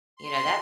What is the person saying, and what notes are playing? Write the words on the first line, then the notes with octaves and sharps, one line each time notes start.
You know, that
C6